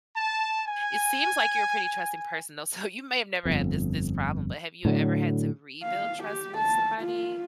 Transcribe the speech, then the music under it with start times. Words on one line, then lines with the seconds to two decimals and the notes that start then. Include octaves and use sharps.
it seems like you're a pretty trusting person though, so, you may have never had this this problem, but have you ever had to rebuild trust with somebody?
0.16 A5
0.66 G#5
3.45 G1 F2
4.85 A2 D3 F#3
5.83 F5
6.23 G4
6.57 A5
7.02 F4